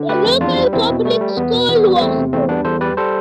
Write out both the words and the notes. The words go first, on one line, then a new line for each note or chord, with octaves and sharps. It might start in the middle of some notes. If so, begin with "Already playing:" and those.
The local public school was good.
Already playing: D3
A3 G4 B4
F2
E2 D4 F4
G3
E2 C4 E4
B2
G3 A3
G3
E2 B3
B2
E2 B3
G3
B3
E2 A3 C4
C3
E2 A3 C4
G3 B3 D4
E2 A4 C5
G3 B4 D5
G3 A4 C5